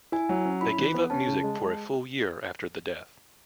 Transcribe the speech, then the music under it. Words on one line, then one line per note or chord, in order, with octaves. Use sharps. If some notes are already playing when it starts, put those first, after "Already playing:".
They gave up music for a full year after the death.
E4 G#5
F#3
C#4
E4 B5
E3
B3
C#4 A5
C#3
G#3
G#3